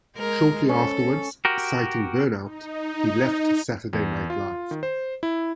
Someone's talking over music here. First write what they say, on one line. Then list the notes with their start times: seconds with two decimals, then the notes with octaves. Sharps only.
Shortly afterwards, citing burnout, he left "Saturday Night Live".
0.17 G#3 A#4
0.69 C#4 A4
1.45 F#4 G4 A#4
2.44 D#4
3.93 E2
4.30 F4
4.71 D#3
4.83 C5
5.23 E4